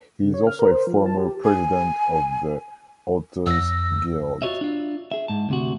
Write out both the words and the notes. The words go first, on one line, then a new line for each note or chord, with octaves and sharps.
He is also a former president of the Authors Guild.
C#3
C#5
F6
A#4
C5
F3
A5
G4
G#5
F2 E6 A#6
F4 F#4 G#4 C#5 D#5 E5
D4 F4
G#4 E5
G#2 A5
D2 C3 F#4